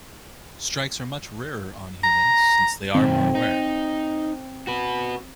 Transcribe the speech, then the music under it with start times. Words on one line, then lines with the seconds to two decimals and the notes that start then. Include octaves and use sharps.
Strikes are much rarer on humans since they are more aware.
2.04 A#5
2.95 B1 D#3 C4
3.35 D#4
4.67 F#4 B4